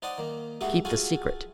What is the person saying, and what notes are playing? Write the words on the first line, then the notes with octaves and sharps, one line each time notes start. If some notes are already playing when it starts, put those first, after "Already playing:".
Keep the secret.
D#4 C5 D5 F#5 D6 D#6
D#3 A#3
G#3 D#4 F#4 G4 E5 F#5
F4 F#4 G#4 A4 F#5 G#5